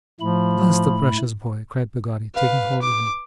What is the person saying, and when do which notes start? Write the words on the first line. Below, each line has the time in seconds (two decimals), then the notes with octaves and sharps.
'Bless the precious boy!' cried Peggotty, taking hold of me.
0.20 A2 F3 A3 B5
2.35 B4 F5
2.82 D6